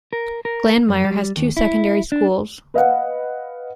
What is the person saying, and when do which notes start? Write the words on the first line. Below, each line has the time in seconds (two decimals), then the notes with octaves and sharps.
Glanmire has two secondary schools.
0.13 A#4
0.45 A#4
0.89 F#2
1.05 G3
1.37 D#2
1.57 E4
2.12 D4
2.74 B4 D#5 F5 F#5